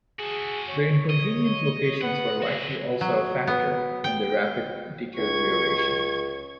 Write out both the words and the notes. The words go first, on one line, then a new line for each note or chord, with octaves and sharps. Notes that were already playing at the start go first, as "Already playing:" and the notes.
Their inconvenient locations were likely also a factor in their rapid deterioration.
F#4 G#4 A4
C#5
D#5
B3 F#5
F#4 G#4
F#3
B3
G5
C#2 C#6 G#6